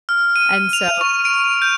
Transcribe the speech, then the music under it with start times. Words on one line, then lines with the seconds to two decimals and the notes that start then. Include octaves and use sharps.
and so,
0.09 F6
0.36 D#7
0.73 F7
1.01 C#6
1.25 D7
1.62 G6